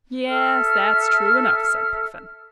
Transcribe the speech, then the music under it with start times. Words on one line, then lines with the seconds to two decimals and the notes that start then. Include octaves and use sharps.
"Yes, that's true enough," said Puffin.
0.27 A4 E5 F6